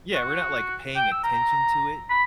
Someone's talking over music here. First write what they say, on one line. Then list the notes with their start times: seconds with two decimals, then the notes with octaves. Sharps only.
Yeah, we're not, like, paying attention to it
0.14 F#4
0.96 G5
1.11 E6
1.24 A#5
2.10 B5